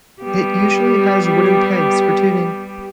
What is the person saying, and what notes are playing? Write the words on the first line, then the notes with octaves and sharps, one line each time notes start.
It usually has wooden pegs for tuning.
G3 B3 G4